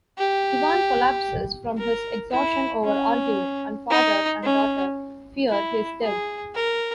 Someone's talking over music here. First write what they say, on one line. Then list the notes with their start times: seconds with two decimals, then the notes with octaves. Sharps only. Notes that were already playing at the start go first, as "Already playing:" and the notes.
Ivan collapses from his exhaustion over arguing, and father and daughter fear he's dead.
0.18 G4
1.78 A#4
2.31 E4
2.84 C#4
3.90 D#4
4.43 C#4
5.49 E4
6.02 G#4
6.55 A#4